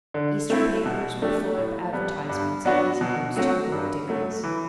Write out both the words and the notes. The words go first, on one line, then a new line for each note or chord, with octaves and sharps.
Eastern papers were full of advertisements of easy routes to the gold-diggings.
D3
A3 C4 E4
B2
A3 D4 G4
A2
G3 B3
G2
F#3 B3 D4 F#4
B2
F#3 A3 C4 F#4
G2
F#3 A3
E3